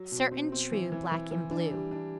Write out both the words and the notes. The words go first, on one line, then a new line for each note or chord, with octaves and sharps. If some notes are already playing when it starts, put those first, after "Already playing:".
Certain, true, Black and blue.
Already playing: F#3
B2
C4
C4
E3
E3
E3
E3
D4
G3
D4